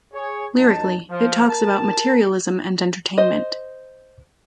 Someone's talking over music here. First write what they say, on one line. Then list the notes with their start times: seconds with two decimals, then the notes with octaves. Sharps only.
Lyrically, it talks about materialism and entertainment.
0.14 G#4 C#5
0.56 F#2 D#4 A5
1.10 F3
1.47 A#4 A5
3.18 C5 D#5